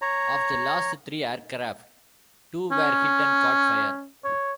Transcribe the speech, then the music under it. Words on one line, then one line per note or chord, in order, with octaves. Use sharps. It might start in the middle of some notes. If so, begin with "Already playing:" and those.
Of the last three aircraft, two were hit and caught fire.
C#5 A#5
C#4
C#5